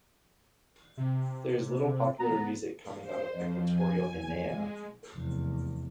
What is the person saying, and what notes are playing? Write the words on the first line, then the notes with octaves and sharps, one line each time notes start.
There is little popular music coming out of Equatorial Guinea.
C3
B3 A#5
C5
F2
G#5
G#3
F1 E2